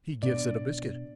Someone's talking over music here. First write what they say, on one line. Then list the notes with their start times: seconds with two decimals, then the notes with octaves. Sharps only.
He give it a biscuit.
0.23 B2 B3 D4 D5